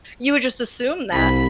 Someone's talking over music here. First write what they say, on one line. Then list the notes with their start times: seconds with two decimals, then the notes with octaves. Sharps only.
You would just assume that.
1.12 C2 B5